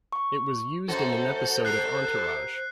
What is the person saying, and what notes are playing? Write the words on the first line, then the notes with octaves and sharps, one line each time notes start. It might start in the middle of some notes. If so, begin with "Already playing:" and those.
It was used in an episode of "Entourage".
C#6
F#2 F#4 A4 C5
G4 A#4 F#6 C7